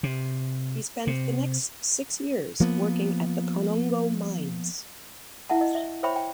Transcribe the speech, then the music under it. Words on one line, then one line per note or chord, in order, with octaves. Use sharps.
He spent the next six years working at the Konongo mines.
C3
C3
F3 A#3 B3
E4 E5 F#5 A5
D#5
E5
C5 C#5 E5 G5 B5 C#6
G5